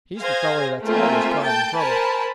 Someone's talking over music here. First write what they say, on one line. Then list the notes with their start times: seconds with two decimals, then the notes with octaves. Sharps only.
He's the feller that's always causin' trouble.
0.20 G#4 C5 F5 G#5 G#6 A#6
0.84 A3 A#3 C4 F4 E5 G#5
1.41 G5 A5 G6 A6
1.75 A#4 C5 G#5 A5 B5